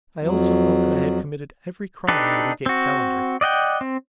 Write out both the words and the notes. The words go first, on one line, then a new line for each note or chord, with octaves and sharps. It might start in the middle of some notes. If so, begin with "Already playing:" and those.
I also felt that I had committed every crime in the Newgate Calendar.
F2 F#3
D4 D#4 G4 A4 B4
C4 F#4
D5 D#5 F#5 G5
C4